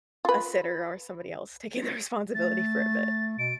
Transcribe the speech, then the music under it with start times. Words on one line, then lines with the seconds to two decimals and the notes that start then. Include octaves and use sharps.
a sitter or somebody else taking the responsibility for a bit.
0.25 F4 B4
2.35 A3 A6
3.39 B2 D7